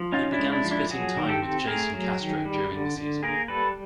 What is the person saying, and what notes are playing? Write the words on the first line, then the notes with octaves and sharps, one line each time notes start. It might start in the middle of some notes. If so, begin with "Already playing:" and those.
He began splitting time with Jason Castro during the season.
Already playing: F3
C#4 D#4 F4
D4 E4
G#3
D4 E4
F3
D4 E4
F#3 F#4 G#4
D#3
G4 A4
C4
A3 G#4 A#4
F#3
D#3
G3
D3
D3
A#3 G#4 A#4
G3 A4 B4